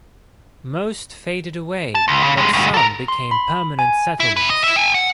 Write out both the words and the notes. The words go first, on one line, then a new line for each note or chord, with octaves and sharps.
Most faded away but some became permanent settlements.
A5
C#2
C#3
G2 G#3
D2 G2
A4 A#4
C6
B5
G#5
E4
C3 B4
D#5
E4 E5
G5 G#5
F#5